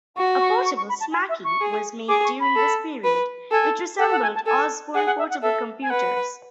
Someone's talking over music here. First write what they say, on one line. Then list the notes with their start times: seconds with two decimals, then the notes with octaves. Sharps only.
A portable Smaky was made during this period, which resembled Osborne portable computers.
0.17 F#4 C#6
0.41 C#6
0.65 C#6
0.77 C#6
0.89 B5
1.00 A5
1.12 G#5
1.29 E5
1.44 C#6
1.61 G#4
2.08 G#4 D6
2.25 C#6
2.40 B5
2.55 A4
3.04 B4
3.51 A4 G#5
3.99 A4 F#5
4.11 F#5
4.22 G#5
4.35 A5
4.46 A4 G#5
4.95 G#4 F#5
5.06 F#5
5.19 E5
5.30 F#5
5.42 A4 E5
5.82 G#5
5.90 B4 F#5